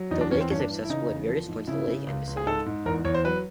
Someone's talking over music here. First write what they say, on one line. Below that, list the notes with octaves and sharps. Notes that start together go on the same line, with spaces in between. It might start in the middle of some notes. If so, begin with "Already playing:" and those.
The lake is accessible at various points of the lake and vicinity.
Already playing: F#3
E2 D#4
D4
E2 C#4
C4
G2 C#4
D4
E3
E4
C#3 D#4
E2
F3
G#2
C#3 E4
C#3
C#2
C#2
G#4
G#2 A4
G#2
E2 A#4
E2 C#5
C5
F#3 B4